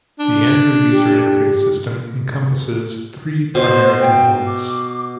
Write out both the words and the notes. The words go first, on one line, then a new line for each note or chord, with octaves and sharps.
The Andrew User Interface System encompasses three primary components.
D4
G4
B2 C5
G5
D6